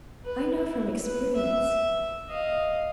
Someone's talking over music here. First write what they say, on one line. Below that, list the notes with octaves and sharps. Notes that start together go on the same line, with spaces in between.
"I know from experience."
B4
E4
B4
E5
D#5 F5